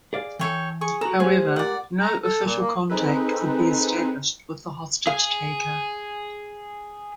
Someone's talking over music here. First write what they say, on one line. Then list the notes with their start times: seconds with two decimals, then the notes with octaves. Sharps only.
However, no official contact could be established with the hostage taker.
0.13 G#4 D5 F5
0.39 E3 A4 C#5 G5
0.81 G#4 C#6
1.01 F#4 A4 A#5
1.20 F3 A3 G4 G#4
1.56 A#2 D5 F#5
2.00 A#5
2.23 A4
2.42 A#2
2.60 A#3
2.90 C4 D#4 G#4 A4 B4
5.07 G#4 F5